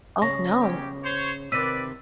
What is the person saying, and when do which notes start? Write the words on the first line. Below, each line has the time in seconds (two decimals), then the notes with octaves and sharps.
Oh, no.
0.22 C#3 C#6 A#6
0.60 C#4 G4
1.03 C5 C#5
1.52 C3 D#3 B4 D5 E6 B6 D#7